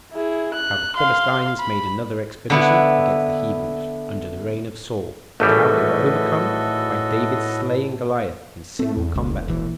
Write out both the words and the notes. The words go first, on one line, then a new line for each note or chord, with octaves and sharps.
How The Philistines Made Another Expedition Against The Hebrews Under The Reign Of Saul; And How They Were Overcome By David's Slaying Goliath In Single Combat.
E4 G#4
F#6
F5 C6
B5
D3 B3 E4
G#1 A2 E3 G3 A3 F#4 A4 D#5
A3 C4
E2
E1 C#2
A#1 E3